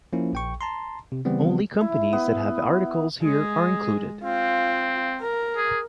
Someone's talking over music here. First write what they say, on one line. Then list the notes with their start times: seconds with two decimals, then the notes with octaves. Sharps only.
Only companies that have articles here are included.
0.13 F3 A#3 C#4 E4
0.33 A#1 G5 C#6
0.61 A5 A#5 C6
1.12 C3
1.25 C#3 E3 G3 B3 C4
1.81 E4
2.13 B3
3.23 G#3 G#4
4.23 C4 F4
5.21 A#4
5.57 G#4